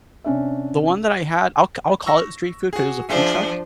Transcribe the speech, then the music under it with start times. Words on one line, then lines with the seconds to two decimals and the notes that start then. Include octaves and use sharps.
the one that I had I'll c I'll call it street food 'cause it was a food truck,
0.24 C3 C#4 D4 E5
2.06 C#6 E6 A#6
2.73 F#4 G#4
3.09 F3 D4 G#4 C5 E5 F5